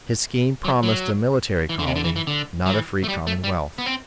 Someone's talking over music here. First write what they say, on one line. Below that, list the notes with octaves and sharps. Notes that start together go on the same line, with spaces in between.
His scheme promised a military colony, not a free commonwealth.
F#3
F#3
E3
D3
C3
D3
E3
E3
D3
F#3
E3
A3
G3
A3
G3
B3
C4